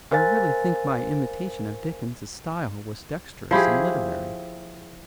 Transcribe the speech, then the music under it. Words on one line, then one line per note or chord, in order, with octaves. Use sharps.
I really think my imitation of Dickens's style was dexterous and literary.
A#4 C5 F5 G#5 A6
F3 E4 G4 G#4